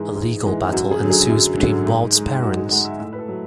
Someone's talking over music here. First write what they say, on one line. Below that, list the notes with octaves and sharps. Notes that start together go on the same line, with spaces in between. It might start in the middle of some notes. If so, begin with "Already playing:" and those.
A legal battle ensues between Walt's parents.
Already playing: G#2 E3 G#3 G#4
G#2
E3 G#3
F#2 F#4
G#4
D3 F#3
G#4
F#2
D3 F#3
G#2
G#3
G#2 F#4
G#4
G#3 F#5
E5
A2 E5
B4
A4
F#3